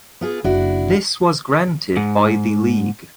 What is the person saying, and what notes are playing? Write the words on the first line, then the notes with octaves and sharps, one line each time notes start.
This was granted by the league.
B3 F4 G#4
F#1 D4 E4 F#4
G#2